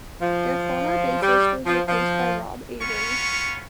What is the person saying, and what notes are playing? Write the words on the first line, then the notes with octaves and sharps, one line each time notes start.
Their former bassist was replaced by Rob Avery.
F3
G3
F3
F3
B3 C#4 F4 C#6